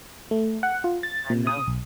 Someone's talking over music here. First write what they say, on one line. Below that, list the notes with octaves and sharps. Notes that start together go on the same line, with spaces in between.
I know.
A3
F#5
F4
A6
A#2
D#6
B1